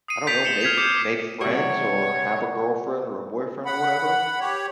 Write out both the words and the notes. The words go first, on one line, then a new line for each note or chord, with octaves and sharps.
I don't know, make make friends or have a girlfriend or a boyfriend or whatever,
D#6 C7 C#7 D#7
G6 A6 B6 D7 D#7 F7
G6 C#7 E7 F#7 G7
F6 G#6 B6 C7 F7
D6 G6 C#7 E7
C3 G3 C#5 D5 F#5 C#6
F#5 B5
G4 C#5